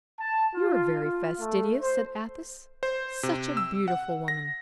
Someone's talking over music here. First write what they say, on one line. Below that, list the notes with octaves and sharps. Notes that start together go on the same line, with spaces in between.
"You are very fastidious," said Athos; "such a beautiful woman!"
A5
F4
F4
A3
C5
C5
C3
E6
F#5
A#6